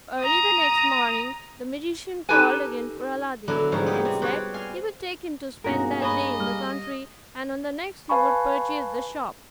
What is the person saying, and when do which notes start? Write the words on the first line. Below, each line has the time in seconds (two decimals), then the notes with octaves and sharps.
Early the next morning, the magician called again for Aladdin, and said he would take him to spend that day in the country, and on the next he would purchase the shop.
0.20 A#5 D#6
2.29 D#4 G4 A4 B4 G#5
3.48 D3 E3 F#3 B3 D4 B4
3.72 G#2 E3 F3 G3 C#5
3.86 B3 D#4 G4
4.05 C3
4.22 C4 G4 B4 C#5 D5 B5
4.54 F5 G#5 C6
5.64 G2 B2 A#3 C#4 D#4 F#4 G#4 A#4
6.02 G2 B4 C#5 D#5
6.39 G3 G4 F6
8.09 B4 F5 G#5 A5 B5 C#6